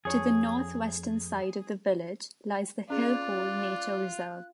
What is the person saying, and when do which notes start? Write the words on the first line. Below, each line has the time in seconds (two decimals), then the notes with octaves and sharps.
To the north-western side of the village lies the Hill Hole Nature Reserve.
0.05 F2 G#4 C#5
2.90 C#4 F4 G#4 D5 F#6